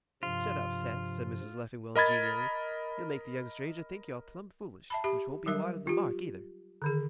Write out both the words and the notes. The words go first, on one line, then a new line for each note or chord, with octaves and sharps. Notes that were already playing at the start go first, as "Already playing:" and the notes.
"Shut up, Seth," said Mrs. Leffingwell, genially, "you'll make the young stranger think you're plum' foolish, which won't be wide of the mark either."
G2 C3 F3 F4
A#4 D#5 B5 G#6 A6
E5 A5 B5
G4 E5 B5
F#3 G3 A#4 E5
F4 G4
D3 D#3 G#4